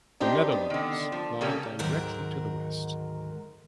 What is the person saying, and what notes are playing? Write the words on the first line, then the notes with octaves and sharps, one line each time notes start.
The Netherlands lie directly to the west.
D4 D#4 G4 C5
B3
D3 D#3
F3
C#3 G3 A#3 C#4 A4
D2 G#2 D#3 F#3 A#4